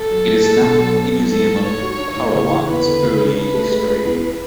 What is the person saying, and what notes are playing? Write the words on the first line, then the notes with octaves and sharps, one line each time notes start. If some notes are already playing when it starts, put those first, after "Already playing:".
It is now a museum of Parowan's early history.
Already playing: A4
F#3
A2
G#3
B2
F#3
B3
F#3
A2 A4
A3
G#2 C#5
F#4
D4
A2
C#3 C#5
E3
E2 B4
D3
C#3
C#4
D4 B4
A3
G#3
G#3
E2